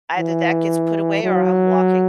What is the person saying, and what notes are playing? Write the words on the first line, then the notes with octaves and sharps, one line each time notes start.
"Either that gets put away or I'm walking."
E3
F#3